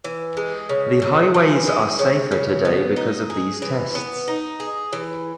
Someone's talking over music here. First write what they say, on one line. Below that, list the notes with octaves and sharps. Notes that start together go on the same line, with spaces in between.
The highways are safer today because of these tests.
E3
G#3
C#3
C#3
E3
G#3
C#3
C#3
B3
D#4
G#4
E3
B3
D#4
G#4
E3